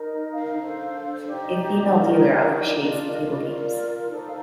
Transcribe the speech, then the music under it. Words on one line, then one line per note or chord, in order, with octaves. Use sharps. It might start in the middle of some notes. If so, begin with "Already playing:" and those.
A female dealer officiates the table games.
Already playing: D#4 A#4
D#5
F5
D4 A4 C5
D#4 G4 C5 D5
D#5
D5
D#5
D5
D#4 G4 A#4 D#5
D5
D#5
D5
D#5
D4 F4 A#4 D5
D#5
D5
D#5
D5
F4 A#4 D#5
D5
D#4 A4 C5 D5
F5